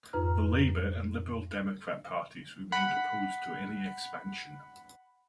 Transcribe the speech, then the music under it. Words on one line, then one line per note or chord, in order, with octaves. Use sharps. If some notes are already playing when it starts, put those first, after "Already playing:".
The Labour and Liberal Democrat parties remain opposed to any expansion.
F2 G#2 D#4 B4 A#5 F6
F#5 B5